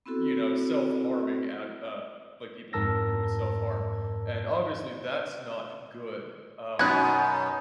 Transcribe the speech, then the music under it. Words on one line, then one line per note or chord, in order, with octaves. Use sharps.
You know, self-harming at uh, like, people who would self-harm, and obviously that's not good, um,
B3 C4 E4 F#4 A4
F2 G#2 A#4 A5 E6 A#6
F#2 B2 B3 D#4 F#6 G#6